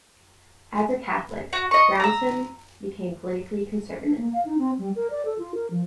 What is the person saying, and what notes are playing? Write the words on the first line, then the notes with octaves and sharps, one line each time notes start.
As a Catholic, Brownson became politically conservative.
F#4
D#5 C#6
A#5 E6
D4
A#3
F5
D#4
C4
G3
A#4
D5
A4
F4
A#4
F3